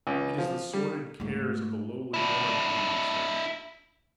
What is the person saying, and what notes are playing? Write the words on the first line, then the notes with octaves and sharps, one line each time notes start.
It is the sordid cares of the lowly born that do these things.
C#2
F3
G3
G#2 A3
D4 E4